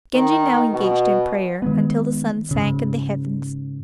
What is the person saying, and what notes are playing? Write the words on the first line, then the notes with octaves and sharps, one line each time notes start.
Genji now engaged in prayer until the sun sank in the heavens.
D#3
B2
D#3 G#3 B3
G#2 C#3